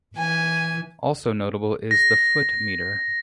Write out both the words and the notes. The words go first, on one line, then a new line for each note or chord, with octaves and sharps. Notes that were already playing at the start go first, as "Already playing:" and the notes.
Also notable is the "foot meter".
E3 G#5
A#6